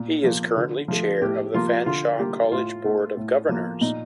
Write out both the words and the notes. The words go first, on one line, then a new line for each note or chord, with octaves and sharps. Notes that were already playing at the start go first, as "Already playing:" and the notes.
He is currently chair of the Fanshawe College Board of Governors.
Already playing: A#2
F3 A#3
D3
F3 A3
A2 G4
F3 A#3 F4
D3 F4
G3 A#3 G4
A2 F4
A3
A2
F3 A#3
A#2 D#4